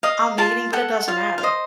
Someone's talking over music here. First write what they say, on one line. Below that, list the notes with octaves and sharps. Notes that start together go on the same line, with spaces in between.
I'm meeting, but it doesn't matter.
D#5 F5
F4 A5
A4 F#5
F4 F5
F5
C5 D#5